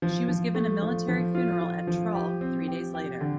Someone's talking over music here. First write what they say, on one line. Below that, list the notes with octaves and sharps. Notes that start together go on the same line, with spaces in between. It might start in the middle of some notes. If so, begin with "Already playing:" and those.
She was given a military funeral at Trull three days later.
F3
F3
A3
F3
F3
F4
F4
F3
G4
C4
G4
G4
D3